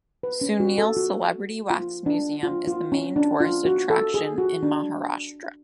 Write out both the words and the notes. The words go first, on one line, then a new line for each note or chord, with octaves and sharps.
Sunil's Celebrity Wax Museum is the main tourist attraction in Maharashtra.
B4
C#4
F#4
A4
F#4
F4
D4
F4
F4
C#4
D4
F4
F#4
A4
G#4
F#4
D4